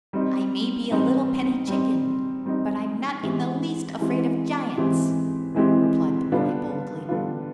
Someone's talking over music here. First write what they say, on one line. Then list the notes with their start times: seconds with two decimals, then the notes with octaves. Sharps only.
"I may be a little penny chicken, but I'm not in the least afraid of giants," replied the boy boldly.
0.13 G3 C4 D#4
0.91 G3 C4 D#4
1.68 G3 C4 D#4
2.46 G3 C4 D#4
3.23 E3 G#3 C4 E4 G4
4.00 E3 G#3 C4 E4 G4
4.77 E3 G#3 C4 E4 G4
5.54 E3 G#3 C4 E4 G4
6.31 D3 G3 B3 D4 F4
7.09 D3 G3 B3 D4 F4